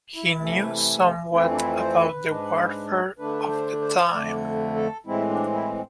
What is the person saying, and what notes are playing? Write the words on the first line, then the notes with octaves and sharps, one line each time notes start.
He knew somewhat about the warfare of the time.
E4
C3 E3 A3
F2 E3 A3 C4 E4
D4
E4
C5
B4
G#2 G#3 D4
D3 A3 D4 B4
C5
C5
D5
C5
F2 D3 A3 D5
A4
A2 E3 G#3 C4 E4
D4
E4